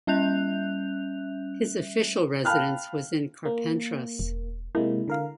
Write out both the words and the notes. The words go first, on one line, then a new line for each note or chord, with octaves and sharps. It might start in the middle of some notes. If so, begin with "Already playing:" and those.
His official residence was in Carpentras.
G3 C#4 E5 F#6 G6 F7
F5 G5 A5 B5 F6 F#6
A#3
E1
C3 G#3 A#3 E4
D3 A#4 F5